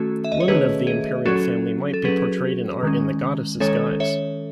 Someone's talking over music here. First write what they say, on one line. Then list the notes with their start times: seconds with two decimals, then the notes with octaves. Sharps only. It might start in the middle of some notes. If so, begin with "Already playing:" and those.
Women of the Imperial family might be portrayed in art in the goddess's guise.
Already playing: D#3 A3 C#4 F#4 A4
0.24 E5
0.32 D#5
0.40 C#5
0.48 D#3 A3 C#4 G#4 B4
0.87 G#4
1.26 F#3 C#4 F#4 A4
1.94 A4
2.04 F#3 C#4 G#4 B4
2.83 D#3 G#3 C#4
3.60 D#3 G#3 C#4 A4 C#5
4.00 C#5 E5